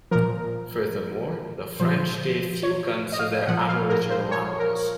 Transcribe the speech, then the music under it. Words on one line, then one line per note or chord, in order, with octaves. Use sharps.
Furthermore, the French gave few guns to their aboriginal allies.
A#2 F3 A#4
A#2 F3 C5
C#5
D#5
F5
A#2 F3 F#5
F5
A#4
C5
C#5
A#4